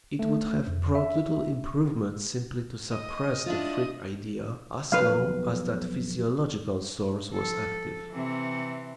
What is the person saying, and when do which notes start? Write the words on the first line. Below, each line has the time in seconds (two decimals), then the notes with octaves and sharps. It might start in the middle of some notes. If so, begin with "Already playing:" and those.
It would have brought little improvement simply to suppress the freak idea as long as that physiological source was active.
0.19 A3
0.67 F2
0.95 E5
2.91 D#5
3.46 D4 E4 F4
4.92 B1 F2 B4 F5
7.33 F3 A4
8.11 C3 E3